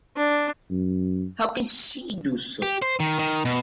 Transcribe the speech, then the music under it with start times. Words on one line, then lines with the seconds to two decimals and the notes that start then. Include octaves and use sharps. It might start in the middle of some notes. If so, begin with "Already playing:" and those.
How can she do so?
0.17 D4
0.71 F#2
2.62 G4
2.82 C5
3.00 D#3
3.19 D#3
3.45 B2